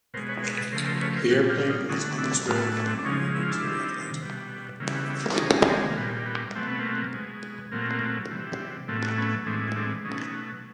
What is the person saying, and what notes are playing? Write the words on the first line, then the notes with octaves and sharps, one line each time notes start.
The airplane was on its way from Miami to Atlanta.
B2 G#3 A#4 C5
B4 C#5
A#4 C5
A4 B4
C#3 F3 A3 A#4 C5
A#4 C5
B4 C#5
A#4 C5
A#2 G3 F#4 G#4
F4 G4
D#4 F4
D3 F#3 A3 C#4 D#4
D4 E4
A2 F#3 A3 D#4 F4
D4 E4
C4 D4
D4
C#3 F3 G#3 C#4 D#4
E4
F4
D4 E4
C3 D#3 G3
B2 G3
C#3 E3 G3 A#3
B3
B3
A#3
D4
C3 D#3 G#3 C#4 D#4
C4 D4
A#3
A#2 G3 B3
B3
B2 F#3 A3 C4
B3
A#3 C4
B2 G#3
A#2 F#3 A3 A#3 C4
C3 E3 G3
A2 F#3 A3 A#3 C4
B3 C#4
A2 E3 G#3 C4 D4
C4 D4
B2 F#3 A3 C#4 D#4